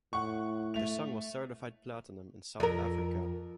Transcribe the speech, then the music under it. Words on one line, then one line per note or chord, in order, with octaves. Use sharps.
The song was certified platinum in South Africa.
A2 F#5 C#6
A3 F7
F2 A#4